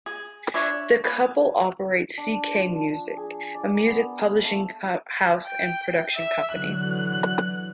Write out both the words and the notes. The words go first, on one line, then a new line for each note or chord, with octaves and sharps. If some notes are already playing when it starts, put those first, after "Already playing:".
The couple operate CeKay Music, a music publishing house and production company.
G#4
D4 C#5 E5
A#3 B4 G#5
D4
F3
G#4
D5
A#4
B3
F5
A3
G5
E5
D3 E3 F#3 F#6